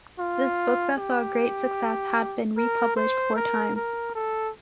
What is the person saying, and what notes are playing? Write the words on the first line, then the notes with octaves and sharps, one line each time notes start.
This book that saw great success had been republished four times.
F4
G4
A#4
C5
A#4
A#4
A4